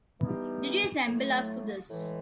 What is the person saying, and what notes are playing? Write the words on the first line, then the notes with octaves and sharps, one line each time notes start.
Did you assemble us for this?
E3 G3 B3 D#4 G4
A2 F#3 A3
A2 E3 G#3